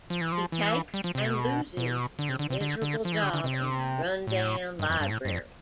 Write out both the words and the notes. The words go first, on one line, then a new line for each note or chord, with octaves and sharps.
He takes and loses a miserable job in a run-down library.
F3
E3
F3
E3
G3
F3
C3
B2
B2
D3
C3
D3
C3
D3
D3
F3
E3
D3
D3
C3
A2
G2
F2
G2
A2
G2
F2